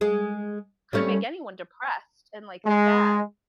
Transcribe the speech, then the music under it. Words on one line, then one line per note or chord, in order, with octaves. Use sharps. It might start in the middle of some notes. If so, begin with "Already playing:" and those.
could make anyone depressed, and, like, sad.
G#3 G#4
G3 A3 C#4
G#3